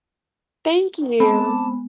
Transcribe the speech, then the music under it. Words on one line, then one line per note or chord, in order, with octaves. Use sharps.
Thank you.
G#3 B3 C4 A5 B5 D6